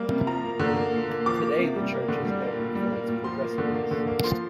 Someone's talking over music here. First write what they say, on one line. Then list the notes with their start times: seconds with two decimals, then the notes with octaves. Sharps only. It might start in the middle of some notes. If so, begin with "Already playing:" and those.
Today the church is known for its progressiveness.
Already playing: G3 A#3
0.10 C3
0.27 F3 A#5
0.44 A#3
0.60 D3
0.76 A#3
0.93 A#2
1.10 A#3
1.26 F3 D6
1.43 A#3
1.59 C3
1.76 G3
1.92 A#3
2.08 D3
2.25 G3
2.42 A#3
2.59 A#2
2.75 G3
2.92 A#3
3.08 A#2
3.24 F3 C6
3.41 A#3
3.58 D3
3.75 A#3
3.91 D3
4.07 A#3
4.24 F3 C6